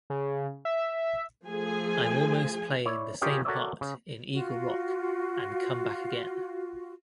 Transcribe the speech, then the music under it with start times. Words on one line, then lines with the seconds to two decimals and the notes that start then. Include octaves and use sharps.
I’m almost playing the same part in "Eagle Rock" and "Come Back Again".
0.10 C#3
0.65 E5
1.46 F3 A3 G#4 G#5
2.85 E4 C#5 D5
3.21 C#4 F4 G4 G#4 A#4 D#5
3.45 F#4 A4 A#4 C#5 D5 E5
3.81 C#3
4.33 F4 F#4